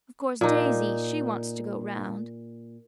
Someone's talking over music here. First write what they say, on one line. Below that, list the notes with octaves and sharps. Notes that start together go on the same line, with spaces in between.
Of course Daisy--she wants to go round.
A#2 D#4